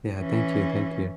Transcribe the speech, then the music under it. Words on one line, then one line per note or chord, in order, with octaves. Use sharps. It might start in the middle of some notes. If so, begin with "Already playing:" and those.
Yeah. Thank you. Thank you.
E3 C#4